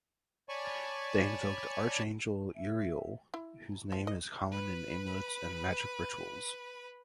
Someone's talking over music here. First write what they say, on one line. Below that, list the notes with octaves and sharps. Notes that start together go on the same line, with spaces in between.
They invoked Archangel Uriel, whose name is common in amulets and magic rituals.
C#5 D5 G#5 A5 B5 C#6
E5
E4
F3
D#5
B4 B5